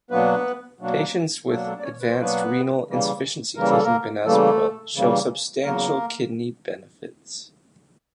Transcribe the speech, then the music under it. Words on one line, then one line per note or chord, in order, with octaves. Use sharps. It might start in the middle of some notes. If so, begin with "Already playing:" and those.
Patients with advanced renal insufficiency taking benazepril show "substantial" kidney benefits.
B2 F#3 A#3 B3 D4 B4
B2 F#3 A#3 D4
B2 F#3 A3 A#3 D4 A4
A3 A4
D5
C#4 C#5
B4
C5
B2 F#3 A#3 B3 D4 B4
C#3 E3 G3 A#3
C#3 E3 G3 A#3 A#4
A4
A#3 A#4
C#3 E3 G3 A3 A#3 A4
C#3 E3 G3 A#3
E2 C#3 F#3 A#3 A#4